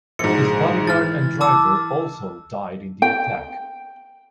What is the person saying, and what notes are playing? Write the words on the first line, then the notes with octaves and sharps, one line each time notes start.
His bodyguard and driver also died in the attack.
A#1 G#2 C#7
E3 F6 A6
A5 D6 E6
G5